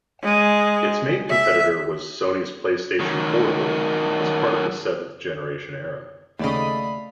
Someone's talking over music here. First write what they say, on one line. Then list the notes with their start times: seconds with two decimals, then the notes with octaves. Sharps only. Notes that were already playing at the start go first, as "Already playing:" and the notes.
Its main competitor was Sony's PlayStation Portable as part of the seventh generation era.
0.23 G#3
1.30 E5
2.99 D#3 F#3
6.39 D#2 C#3 A3 D5 D#5 F5 B5